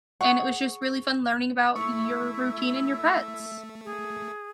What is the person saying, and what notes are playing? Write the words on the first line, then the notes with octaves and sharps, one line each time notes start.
and it was just really fun learning about your routine and your pets.
G#4 F#5 C#6
A3 E4 E5 C#6
G#4